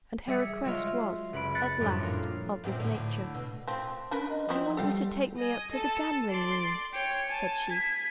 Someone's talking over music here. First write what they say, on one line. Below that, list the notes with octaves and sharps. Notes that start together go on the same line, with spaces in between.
And her request was, at last, of this nature: "I want you to take me up to the gambling-rooms!" said she.
G3 G#4 E5 B6 C#7
F#3 G#3 F4 E5 F5
F#1 B4 B5 D7
F#6 A6 B6 C#7
F#2 A2 F3 G3 D4
A#2 A#3 F5
F#2 A#2 C4
D2 A2 D3
B2
F3 C4
C#4 D4 A#4 B4
D#5
F3 B3 C4 E4
G3 A4 F5 G5
D#5 G#5
A4 A5
D5 C6
C#5 G5
G#5 A5
G#6 B6